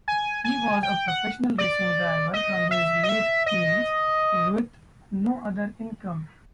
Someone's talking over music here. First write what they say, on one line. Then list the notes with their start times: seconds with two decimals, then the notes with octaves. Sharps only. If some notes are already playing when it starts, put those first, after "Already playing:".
He was a professional racing driver from his late teens, with no other income.
0.08 G#5
0.44 G#5
0.83 G5
1.08 F#5
1.58 D5
2.34 D#5
2.71 E5
3.03 D#5
3.09 E5
3.46 D#5